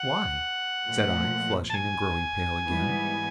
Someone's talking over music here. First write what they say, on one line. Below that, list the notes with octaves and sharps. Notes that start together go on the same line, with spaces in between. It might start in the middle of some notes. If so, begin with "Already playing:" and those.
'Why?' said I, flushing and growing pale again.
Already playing: F#5
A#2 F3 A3
A5
G#5
G#2 E3 G3 B3